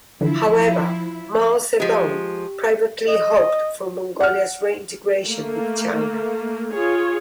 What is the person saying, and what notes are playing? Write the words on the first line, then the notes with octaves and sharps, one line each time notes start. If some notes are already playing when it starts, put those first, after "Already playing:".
However, Mao Zedong privately hoped for Mongolia's reintegration with China.
D3 E3 F3 E4
F3 G#3 G4
D#5
F#5 F6
A3 A#3
F4 G#4 C#5